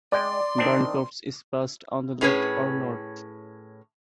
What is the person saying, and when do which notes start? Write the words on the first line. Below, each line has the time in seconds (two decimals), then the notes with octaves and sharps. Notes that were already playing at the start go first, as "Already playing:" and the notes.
Barn copse is passed on the left or north.
0.12 G#3 D5 G5 C6
0.58 D#3 C4 D4
2.21 A2 C#4 G#4 B4 C#5